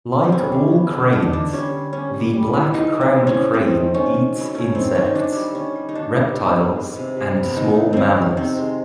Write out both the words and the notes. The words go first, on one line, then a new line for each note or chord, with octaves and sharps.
Like all cranes, the black crowned crane eats insects, reptiles, and small mammals.
C4
G3 C#4
D3
B3
D3
B3 D4
D#4
D3 D4
G3 C#4
D3
G3 C#4
G3
G3
E3
E3 D#4
E3
C4
E3
C#4
E3
A3 C4
D#3
D#3 C#4
D#3
F#3
A3 C#4
D#3 C4
F#3 C#4
D#4
D#3 D4
G3
D#3 C#4
G3
D#4
D#3 D4
G3
B3
B3
G#3
C3
C3
B3
D#3 D#4
B3
D#3 C4 C#4
C3
D#3 C4
G#3